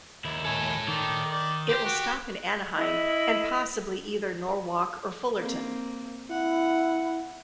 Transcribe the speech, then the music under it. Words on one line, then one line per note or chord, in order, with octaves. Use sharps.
It will stop in Anaheim and possibly either Norwalk or Fullerton.
D#2 E4
A4 C#5 G#5
D#3 D5
D5
G4 C5
F#4
E4 D#5
A#3 C4
E4 F#5